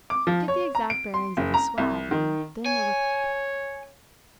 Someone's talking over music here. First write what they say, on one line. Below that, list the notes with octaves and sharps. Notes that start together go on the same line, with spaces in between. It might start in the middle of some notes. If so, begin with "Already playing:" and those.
No! Get the exact bearings of his swag and then a rip up.
D6
F3
C#5
A#5
D7
C6
F#1
A#5
C2
D#3
C#5 G#5